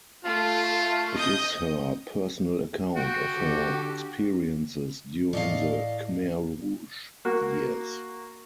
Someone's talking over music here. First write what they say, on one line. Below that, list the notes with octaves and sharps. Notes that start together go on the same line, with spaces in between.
It is her personal account of her experiences during the Khmer Rouge years.
A3 F4
D#5 D#6 G6
F#4 G5
D3 G4 A4
A2 D5 D#5 F5 C#7
A#3 F#4